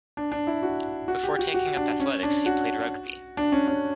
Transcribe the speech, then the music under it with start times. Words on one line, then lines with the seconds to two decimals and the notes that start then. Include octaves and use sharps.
Before taking up athletics, he played rugby.
0.17 D4
0.32 D4
0.47 E4
0.63 F#4
1.08 F#4
1.23 G4
1.39 F#4
1.54 F#4
1.77 D4
2.00 C#4
2.23 D4
2.46 F#4
3.37 D4
3.52 C#4
3.68 C#4